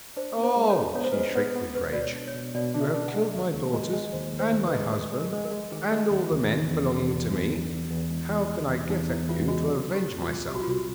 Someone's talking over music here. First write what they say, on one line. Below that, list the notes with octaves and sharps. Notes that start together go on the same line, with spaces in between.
'Oh,' she shrieked with rage, 'you have killed my daughters and my husband, and all the men belonging to me; how can I get at you to avenge myself?'
D4 C5
B3
C5
G#3
C#5
D4
B3 C#5
C5
B4
G#3 C5
B3 B4
B3
B2 B4
B2 D5
C#5
D4
C#5
B2
B2 D5
D4
E5
D4
F#5
G#3
D#2 E5
D#2
G#3
G#3
D#2 C5
D#2
C5
D#2
B4
G#3
G#3 A4
G#3
A#4
G#3
A#4
G#3
D#3 G#4
G#3
D#2
D#2
E2
E2
E2
E2
E2 F#4
E2
E2
E2
G#3
E2
G#3
E2
E2 D#4
E2 E4
E2 F4
G#3 F#4
F#3
C2
G4
A#2
F4
C2
C2 G4
F#4
F4
C2 F#4